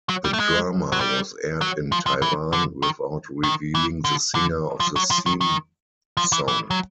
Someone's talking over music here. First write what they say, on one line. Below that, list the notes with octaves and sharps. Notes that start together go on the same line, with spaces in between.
The drama was aired in Taiwan without revealing the singer of the theme song.
F#3
G3
A3
G#3
F#3
G3
F#3
F3
F3
E3
D3
D#3
D#3
E3
D3
D3
F3
F#3
F3
D#3
D#3
F3
E3
E3
F#3